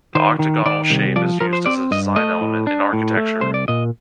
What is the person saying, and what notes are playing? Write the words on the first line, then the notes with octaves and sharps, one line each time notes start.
The octagonal shape is used as a design element in architecture.
D#3 C5
D#3
D#3 D5
C2
F3 D5
F3 A#4
C5
C4 D5
G2 D#5
A3 D#5
A2
D4
A2
A3
C2 C5
D5
A#2 D#5